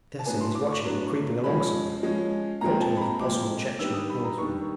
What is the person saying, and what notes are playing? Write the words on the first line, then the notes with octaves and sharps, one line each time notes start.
'I daresay he's watching or creeping along somewhere,' thought he of a possible Chechen hillsman.
A5
A2 F#3 B3 D4 G#5
C6
D6
C#6
A2 F#3 B3 D4
F3 G#3 C#4 B5
F3 G#3 C#4
A#2 F3 G#3 C4 A#5
A5
B5
A#5
A#2 F3 G#3 C4 D6
D#3 G3 B3 D4 E6
D#6
B5
A#5
D#3 G3 B3 D4 C#6